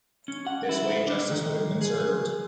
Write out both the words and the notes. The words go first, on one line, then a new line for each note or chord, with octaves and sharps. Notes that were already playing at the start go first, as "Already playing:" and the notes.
This way, justice would have been served.
C#4
F#5
E4
D4
D#3
G#4